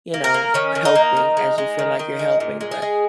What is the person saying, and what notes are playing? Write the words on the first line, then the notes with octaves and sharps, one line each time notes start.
you know, helping, as you feel like you're helping, but
A#3
A#4
A#3
D#3 C#4
D#3
D#4
A#3
D#3
G#3
G#3
D#3
D#3
G#3
A#2
G#3
G#4
G#3